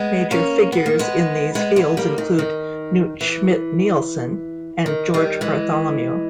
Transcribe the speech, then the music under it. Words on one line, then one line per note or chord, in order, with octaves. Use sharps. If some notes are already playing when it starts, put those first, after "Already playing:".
Major figures in these fields include Knut Schmidt-Nielsen and George Bartholomew.
Already playing: G#3 B3
A#3 C#4
B3
A#3
G#3 B3
G#3 B3
G#3 B3
G3 A#3
D#3
D#3
E3
D#3
D#3 G3
E3 G#3